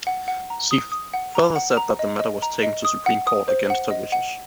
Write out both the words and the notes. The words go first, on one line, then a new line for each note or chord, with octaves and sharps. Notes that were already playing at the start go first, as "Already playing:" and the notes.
She further said that the matter was taken to Supreme Court against her wishes.
F#5
F#5
A#5
D#6
D#6
F#5
A#5
F#5
A#5
D#5
D#5
A#5
D#5
D#6
F#5
D#6
C5
F#5
D#5
F#5